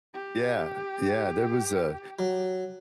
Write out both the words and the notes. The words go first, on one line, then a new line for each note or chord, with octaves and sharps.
Yeah, yeah, there was a
G4
F#3